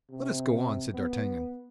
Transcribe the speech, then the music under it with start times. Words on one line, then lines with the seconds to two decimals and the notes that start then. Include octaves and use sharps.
"Let us go on," said D'Artagnan.
0.10 C3
0.92 B3